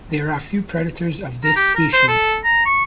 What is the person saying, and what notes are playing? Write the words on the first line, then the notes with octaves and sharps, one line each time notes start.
There are few predators of this species.
A#5
G4
A#4
C5
A4
A#5
C#6